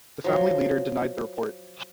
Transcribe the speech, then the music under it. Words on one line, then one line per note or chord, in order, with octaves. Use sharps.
The Family Leader denied the report.
F3 F#3